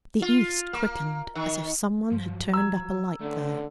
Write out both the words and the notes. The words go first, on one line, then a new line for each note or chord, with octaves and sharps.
The east quickened, as if someone had turned up a light there.
F4
A#3
D#3
G2 F3 F#3
A#5 E6 G#6
D3 A3 C#4